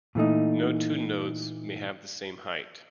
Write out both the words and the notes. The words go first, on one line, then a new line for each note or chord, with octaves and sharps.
No two nodes may have the same height.
A#2 E3 A3 D#4